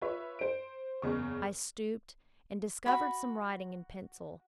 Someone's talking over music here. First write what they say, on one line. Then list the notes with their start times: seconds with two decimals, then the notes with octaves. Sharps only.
I stooped, and discovered some writing in pencil.
0.02 F4 B4 C#5 E5
0.39 C5 D7
1.02 F#1 E2 C#3 C#6
2.86 F#4 B5